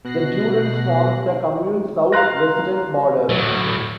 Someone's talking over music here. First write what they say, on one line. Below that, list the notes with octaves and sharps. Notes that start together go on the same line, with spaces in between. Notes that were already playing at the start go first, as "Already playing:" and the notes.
The Durance forms the commune's south-western border.
B2 F#6 A#6 C7
F5 A#5 C6 F#6 A#6
A2 F#3